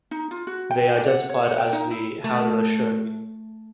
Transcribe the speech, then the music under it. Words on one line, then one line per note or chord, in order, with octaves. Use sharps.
They identified as the Haudenosaunee.
D#4
F4
F#4
G5
D5
F#5
C#5
F#5
G5
D#4
E4
A3